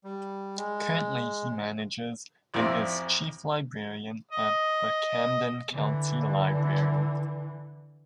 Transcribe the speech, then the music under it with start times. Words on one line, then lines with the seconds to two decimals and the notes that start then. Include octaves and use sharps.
Currently he manages and is Chief Librarian at the Camden County Library.
0.04 G3
0.57 G#3
2.54 A1 F2 C4 E4 D5
4.31 D#5
5.72 D3 E3